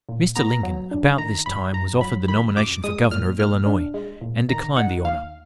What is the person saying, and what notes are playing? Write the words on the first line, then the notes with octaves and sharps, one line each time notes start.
Mr. Lincoln, about this time, was offered the nomination for Governor of Illinois, and declined the honor.
A#2
B3 A#5
F#3
D4
D#3 A#5
F#2 B5
F#2 A#5
F#3 B5
D#3 B5
F#2 D6
G#3 D#6
A#2 F6
A#2 F6
D4
G#3
A#2
D#3 A#5
D#4 F#5
D#2 F5